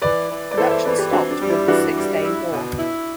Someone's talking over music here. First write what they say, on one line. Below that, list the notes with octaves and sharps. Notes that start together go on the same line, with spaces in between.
Production stopped with the Six Day War.
E3 B4 D5
E3
D5
E3 A4 C5
C5 E5
E3 B4 D5
G4 B4
C4 D4 F#4
D4
G3
E4
E3 D4 F#4
G3
E4
B2
E4